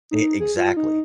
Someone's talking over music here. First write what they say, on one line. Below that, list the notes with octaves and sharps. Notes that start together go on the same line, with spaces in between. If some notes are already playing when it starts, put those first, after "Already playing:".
E exactly,
D#4
G#4
F4
D#4